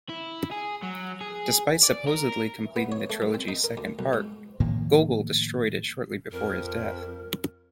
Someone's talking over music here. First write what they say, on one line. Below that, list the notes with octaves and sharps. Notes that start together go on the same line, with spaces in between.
Despite supposedly completing the trilogy's second part, Gogol destroyed it shortly before his death.
E4
G#4
F#3
G#4
D5
A#4
B3
C#5
A3
F#2
C4
D#4
A#4
D2
B1
G#2
A2 D#3 F3 A#3
F2 A#4